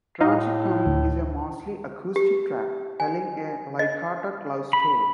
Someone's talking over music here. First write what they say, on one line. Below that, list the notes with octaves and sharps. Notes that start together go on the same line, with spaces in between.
"Tragic Comic" is a mostly acoustic track telling a light-hearted love story.
A2 D#4 D#5 F5
D2
G4
G#5
D#5
B5